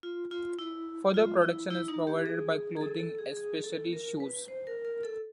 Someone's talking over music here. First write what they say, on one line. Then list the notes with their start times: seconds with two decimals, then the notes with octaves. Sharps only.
Further protection is provided by clothing, especially shoes.
0.03 F4
0.31 F4
0.59 E4
1.14 F4
1.42 E4
1.70 E4
1.88 D#4
2.07 G4
2.26 G#4
2.77 G#4
2.81 A4
3.00 A4
3.18 G#4
3.37 G#4
3.64 A4
3.93 A#4
4.20 B4
4.48 C5
4.67 A#4
4.85 A#4
5.03 A4